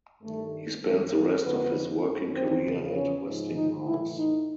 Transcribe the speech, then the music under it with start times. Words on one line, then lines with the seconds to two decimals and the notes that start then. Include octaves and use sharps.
He spent the rest of his working career at Westinghouse.
0.23 G2 D#3 A3
0.84 G2 E3 A3
1.14 A#3
1.44 F2 D3 F3 B3
2.05 F#2 D#3
2.35 C4
2.66 E2 C#3 F3
2.96 C#4
3.26 G#2 F3
3.56 D#4
3.86 A2 E3 E4
4.17 D#4